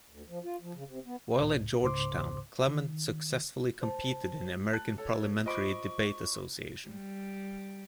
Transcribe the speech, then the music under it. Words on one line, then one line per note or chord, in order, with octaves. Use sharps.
While at Georgetown, Clement successfully competed in the American Parliamentary Debate Association.
D2
F3
F4
F3
C#3
C3
B3
C#2 A2
C#2 G#2 C#3 C5 C6 D6
D#3
C5 A5
A5 F#6
A4 C#5
F4 C5 D#5 B5 C#6 D6 D7
G3